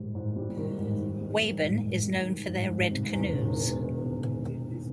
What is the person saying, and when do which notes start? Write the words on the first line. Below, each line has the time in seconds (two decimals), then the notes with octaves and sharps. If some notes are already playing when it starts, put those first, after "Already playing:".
Wabun is known for their red canoes.
Already playing: G#2 D#3 G3
0.15 G#2
0.36 G3
0.57 D#3
0.78 G#2
0.99 G#2
1.21 G3
1.42 D#3
1.63 G#2
1.85 G#2
2.06 G3
2.27 D#3
2.48 G#2
2.70 G#2
2.91 C3
3.13 E2
3.33 E1
3.55 D#3
3.76 C3
3.97 E2
4.18 E1
4.40 D#3
4.61 C3